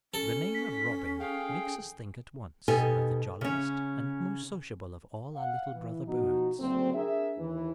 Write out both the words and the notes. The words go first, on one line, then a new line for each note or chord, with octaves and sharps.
The name of Robin makes us think at once of the jolliest and most sociable of all our little brother birds.
C#4 A4
B6
G#4 F5 G5
B2 D#4 G4 A4 G#5
C#3 C#4
F5 F#5
E3
B2 F3 D#4 F#4
F#1 D2 C4
D4 G#4 A#4 E5
D#2 E3